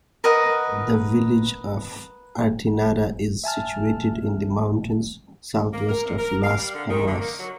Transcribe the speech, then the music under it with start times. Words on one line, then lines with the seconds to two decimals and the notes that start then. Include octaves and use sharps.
The village of Artenara is situated in the mountains, south-west of Las Palmas.
0.24 A#4 B4 D#5 F#5
3.44 E5 G#5 A5 F6
5.74 A#3
5.89 A#4
6.05 C3
6.19 A#4
6.44 F5
6.58 G3
6.75 D3
6.91 D#3
7.08 D3
7.21 A#3
7.40 F#3